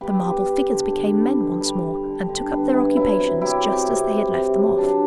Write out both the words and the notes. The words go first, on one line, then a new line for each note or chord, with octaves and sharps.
The marble figures became men once more, and took up their occupations just as they had left them off.
G3 G4 B4
B3
G3
D3
D3
G3
D3
G3
G3
D3
D3
B3
B3 E4
F#3 E4
C3
F#3 E4 G4
C3
C3
C3
C3
F#3
F#3 D4